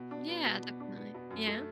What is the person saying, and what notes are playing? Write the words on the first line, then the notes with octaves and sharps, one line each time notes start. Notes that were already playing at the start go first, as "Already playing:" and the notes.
Yeah, definitely. Yeah.
Already playing: B2
D4
B3
B2
B2
D4
B3
B2
F#2
A3